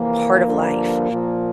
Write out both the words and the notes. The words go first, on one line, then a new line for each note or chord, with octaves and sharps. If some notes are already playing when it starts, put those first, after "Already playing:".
part of life,
Already playing: F2 C3 E3 A#3
G2 D3 F3
A#2 F3